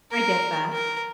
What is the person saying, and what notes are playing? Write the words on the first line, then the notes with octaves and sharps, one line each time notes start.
I get that.
A#4
A#4